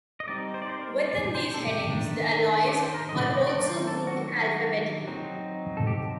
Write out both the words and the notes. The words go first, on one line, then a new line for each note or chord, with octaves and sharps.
Within these headings, the alloys are also grouped alphabetically.
D#5
G3 C4 D#4 D5
C5
D5
C5
A#4
D5
C5
A4
G4
D#3 A3 D4
G4
C5
A#4
D#5
D5
D#5
D#3 F#3 A#3 D4 D5
C5
A4
F#4
F#4
F#3 C4 D#4
A4
G4